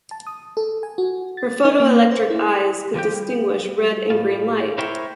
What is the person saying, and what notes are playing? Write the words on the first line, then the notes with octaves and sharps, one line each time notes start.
His photoelectric "eyes" could distinguish red and green light.
A5
D#6
A4
G#5
F#4
A6
D#4
A#3
C5
E4
E2 F3 G4 G5
G3
A2 F4
E4 A#4 C5 C#5 E5 G5